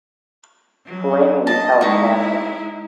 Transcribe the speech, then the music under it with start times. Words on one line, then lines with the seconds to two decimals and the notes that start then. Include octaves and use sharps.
Flaming Hell Castle!
0.85 F#3
1.47 D#5 A5
1.81 G#3 D#4 E4 C#6